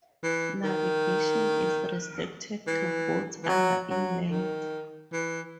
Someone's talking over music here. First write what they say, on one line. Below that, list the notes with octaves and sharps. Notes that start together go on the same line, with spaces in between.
Navigation is restricted to boats under in length.
E3
D#3
E3
E3
F#3
F#3
D#3
E3